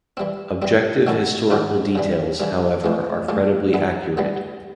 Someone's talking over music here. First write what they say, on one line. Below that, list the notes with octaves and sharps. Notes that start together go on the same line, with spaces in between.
Objective historical details, however, are credibly accurate.
E3 G3 C4
E3 G3 C4
D#3 F#3 A3 C#4 E4
D#3 F#3 A3 C#4 E4
C#3 E3 G3
C#3 E3 G3
A2 F3 G#3
A2 F3 G#3
E3 G3 B3
E3 G3 B3